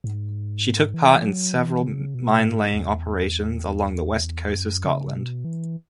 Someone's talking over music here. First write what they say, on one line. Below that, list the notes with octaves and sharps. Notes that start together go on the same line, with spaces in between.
She took part in several minelaying operations along the west coast of Scotland.
G#2
E3
F#3
E3
C#3
B2
G#2
E2
F#2
C#3
B2
E3